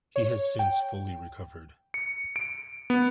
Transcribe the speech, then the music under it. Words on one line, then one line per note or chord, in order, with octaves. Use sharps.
He has since fully recovered.
C#5
G5
C#7
D7
B3